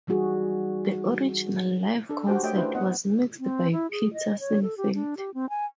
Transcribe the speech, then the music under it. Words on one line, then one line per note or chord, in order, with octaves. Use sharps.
The original live concert was mixed by Peter Sinfield.
E3 G3 D#4 F#4 G#4
D4 A4
F#4 G4 C5 G5
A3 C5 C#5 D#5 E5 G5
C#4 D4 E4 B4 C5 F5
B3 D#5 F#5
C4
E4
G#4
D#5
C#5
A4
G4
D4
G4
C4
G#5